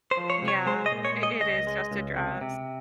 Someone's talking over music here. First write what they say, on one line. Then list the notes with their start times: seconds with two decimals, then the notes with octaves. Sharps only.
Yeah. I it is just a dress.
0.11 C5
0.17 F3
0.30 C#5
0.42 C3
0.48 C#5
0.66 G#3 C5
0.86 D#5
0.92 A#2
1.05 C#5
1.17 G#3
1.23 D#5
1.41 C#2 D#5
1.67 G#3
1.92 C#2
2.17 C3
2.41 C3